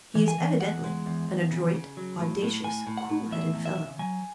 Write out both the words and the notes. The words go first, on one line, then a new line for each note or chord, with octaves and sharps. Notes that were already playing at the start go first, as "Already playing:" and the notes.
He is evidently an adroit, audacious, cool-headed fellow.
E3
G#5
E3
E2 F#5
G#3
E2
E2
C#3
C#3
F#3
A2
A2
A2 G#5
A2
F#5
A2
E2 E5
E2
E5
C#3
F#3 G#5